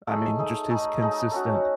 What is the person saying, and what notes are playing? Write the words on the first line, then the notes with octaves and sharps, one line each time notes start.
I mean, just his consistent
A3 D#4 G#4
A3 D#4 G#4
A3 D#4 G#4
A3 D#4 G#4
A3 C#4 F#4